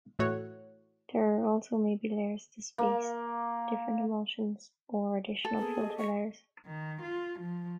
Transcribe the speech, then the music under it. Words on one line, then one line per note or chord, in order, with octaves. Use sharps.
There also may be layers to space different emulsions, or additional filter layers.
A2 E3 A3 F#4 C#5 F#6
A#3
A4
A#3 B3 G#4
G4 D#5
C#6
D#3
F4
F3